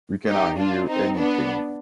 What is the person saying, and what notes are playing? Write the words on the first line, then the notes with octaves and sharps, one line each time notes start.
We can not hear anything.
D#4 G4
D4 F4
C4 D#4
B3 D4